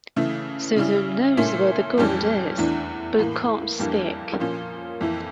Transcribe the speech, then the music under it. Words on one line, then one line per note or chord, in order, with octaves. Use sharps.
Susan knows where the gold is, but can't speak.
C#3 E3 A3 E4
C#3 G3 C#4 E4
A#2 A3 C#4 E4
F2 E3 G3 C#4
E2 E3 A3 D4
A2 E3 A#3
F2 E3 G3 A#3 D4
A#2 F3 A#3 C#4
F2 E3 A#3 E4